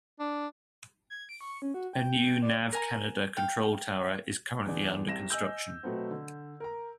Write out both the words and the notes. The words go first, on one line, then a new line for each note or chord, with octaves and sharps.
A new Nav Canada control tower is currently under construction.
D4
G#6
D7
C#6
C#4
F#4
G5
D5
A#4 G#5 A#5
F5 G5
E2 D4
C2 C3 A#6 E7
D#5 G#5 E6 G6
B2 F#3 A3 B3 C4
D3
A#4 A#5